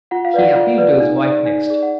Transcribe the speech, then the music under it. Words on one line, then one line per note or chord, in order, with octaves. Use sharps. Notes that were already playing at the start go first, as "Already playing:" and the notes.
He appealed to his wife next.
F4 F#5
F5
B4 D5 F#5
F4
B4 D5
D#4
G#4 D5
D#4
G#4 D5
F#5